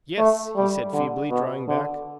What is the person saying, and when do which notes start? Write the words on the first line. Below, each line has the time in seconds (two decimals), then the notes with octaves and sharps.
"Yes," he said, feebly, drawing back.
0.18 A3
0.56 G3
0.93 D3
1.30 B2
1.68 D3